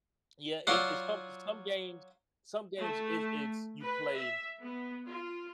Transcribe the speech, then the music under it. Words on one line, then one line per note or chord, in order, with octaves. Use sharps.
Yeah, it it's some some games some games, it's it's you play
F#3 F4 D5 F#5 C6
A3
B4
E5
B3
F4